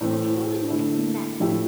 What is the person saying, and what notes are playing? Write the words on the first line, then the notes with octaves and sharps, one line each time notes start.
I can only look at the men.
A2 E3 A3 C4
D3 A3 E4
A2 F3 A3 E4 G4